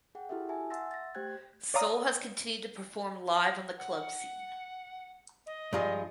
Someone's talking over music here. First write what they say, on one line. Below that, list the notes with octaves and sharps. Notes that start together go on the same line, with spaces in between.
Soul has continued to perform live on the club scene.
G#4 F#5 G5
E4 F#4 G4 A4 E5
E5 G#5 A5
E5 F#5 C6 E6 A6 A#6
A6 A#6
A3 G4 C5 G5 F#6 G#6
C#5 D5 F5 A#5 D#6
F#5
D#5
G2 F3 G#3